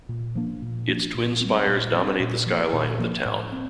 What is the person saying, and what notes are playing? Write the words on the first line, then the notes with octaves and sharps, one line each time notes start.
Its twin spires dominate the skyline of the town.
A#2
F3 A#3 D4
A#2
F3 A#3 D4
A#2
G3 C4
A#2
G3 C4
A#2
F3 A#3
A#2
F3 A#3
A2
C4